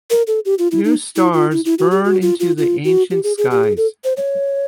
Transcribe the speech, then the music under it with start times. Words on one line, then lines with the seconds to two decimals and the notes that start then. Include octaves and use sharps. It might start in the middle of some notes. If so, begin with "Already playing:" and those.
New stars burn into the ancient skies.
0.10 A#4
0.27 A4
0.45 G4
0.59 F4
0.72 E4
0.85 D#4
1.16 E4
1.34 F4
1.52 E4
1.65 E4
1.79 F#4
1.92 G4
2.05 F#4
2.22 F4
2.40 F4
2.58 F4
2.85 F#4
3.11 G4
3.24 G#4
3.38 G#4
3.51 G4
3.64 G#4
3.77 A4
4.04 C5
4.17 C#5